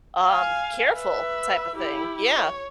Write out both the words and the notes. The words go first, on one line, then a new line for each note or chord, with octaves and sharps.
um, careful type of thing, yeah,
F5 G#5
B4 E5
E4 G4
C#5